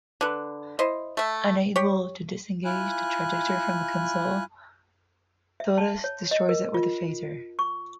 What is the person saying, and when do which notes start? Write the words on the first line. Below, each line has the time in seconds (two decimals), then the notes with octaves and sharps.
Unable to disengage the trajector from the console, Torres destroys it with a phaser.
0.21 D3 B4
0.79 E4 C5 D#5
1.17 A3 E5
1.76 G4 C#5
2.65 E4 F4 G#5 F#6
5.60 E5
5.78 A5
6.04 C#5
6.31 D#5
6.49 A#4
6.74 F4
7.59 C#6